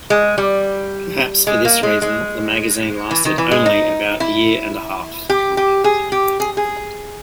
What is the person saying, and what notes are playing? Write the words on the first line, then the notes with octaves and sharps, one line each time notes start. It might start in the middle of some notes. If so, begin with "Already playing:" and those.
Perhaps for this reason, the magazine lasted only about a year and a half.
G#3
G3
G#3
A#3
G#3
G#3
E3
D#3
E3
G#3
D#4
E4
G4
G4
G#4
G4
G#4
G#4